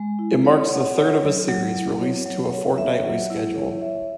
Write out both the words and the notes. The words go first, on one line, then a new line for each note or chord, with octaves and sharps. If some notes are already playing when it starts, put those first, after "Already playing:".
It marks the third of the series released to a fortnightly schedule.
Already playing: G#3
E4
C#5
F#5
C#5
F#3
F#3
E4
C#5
F#3
C#5
E5
F#3
E4
C#5
E5